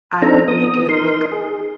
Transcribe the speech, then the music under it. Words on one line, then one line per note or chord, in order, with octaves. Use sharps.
I would make it look
C4 D4 D#4 A4 A#5
B3 D#6
D#4 A#4 C6
G#4